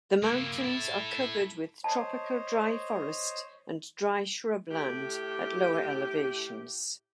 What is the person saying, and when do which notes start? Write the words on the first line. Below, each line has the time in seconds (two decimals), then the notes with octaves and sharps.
The mountains are covered with tropical dry forest and dry shrubland at lower elevations.
0.23 A#3 E4
0.64 E4 A4
1.84 C5 C#5 D#5 A5
4.70 A2 G4